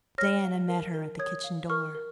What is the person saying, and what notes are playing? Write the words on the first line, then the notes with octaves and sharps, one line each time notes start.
Diana met her at the kitchen door.
C#5 F6 A#6
F5
A#4
A#4
C#5 D#6 G#6
F5
A#4 C#6 F6
A#4